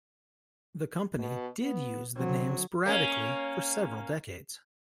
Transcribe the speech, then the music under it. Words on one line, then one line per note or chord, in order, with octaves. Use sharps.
The company did use the name sporadically for several decades.
B2
B3
D3 F#3 C4
A#3 C#4